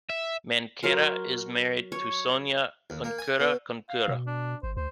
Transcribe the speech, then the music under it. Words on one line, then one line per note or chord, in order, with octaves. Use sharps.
Mancera is married to Sonia Corcuera Corcuera.
E5
F#3 A#4 C6
C#5
D#2
A#3
G#5
B2
F5
B2
D4
G#1 C5
D2 C5